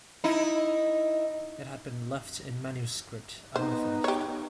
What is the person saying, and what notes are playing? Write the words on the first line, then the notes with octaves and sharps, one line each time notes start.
It had been left in manuscript, unfinished.
D#4 E4
B3 D#4 C5
G4 C#5